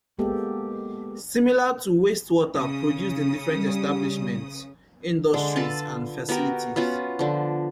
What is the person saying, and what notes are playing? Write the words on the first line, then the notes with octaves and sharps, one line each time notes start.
Similar to wastewater produced in different establishments, industries, and facilities.
G#3 A#3 B3 G4 A4
C#3 D#6
G3
D3 G#3
F4 A4 B4 A5
B3 F#4 G4 A#4
B3 C#4 F4 F#4
D3 F3